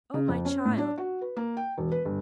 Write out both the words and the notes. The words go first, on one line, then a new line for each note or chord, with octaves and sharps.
Oh, my child!
C#3
F2
C#4
A2
D4
F#4
B4
A#3
G5
E1
B4
G1